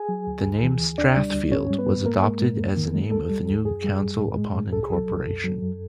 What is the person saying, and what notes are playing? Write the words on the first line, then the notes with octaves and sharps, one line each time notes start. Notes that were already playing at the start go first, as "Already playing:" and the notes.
The name "Strathfield" was adopted as the name of the new council upon incorporation.
Already playing: G#4 G#5
F#3
D2
D2
E3
D2
D2 D4 D5
G3
D2
G#2 C#4 C#5
G3
B3 B4
G#2
G#2 A#3 A#4
G#3
G#2
E2
D#3
G#3
D#2 A4
G3
D#2
F#2 G#4
G3
F#2
A2
G#3
A2
C2 A4
G#4
F#3 A4
C2
F#2
F#3
F#2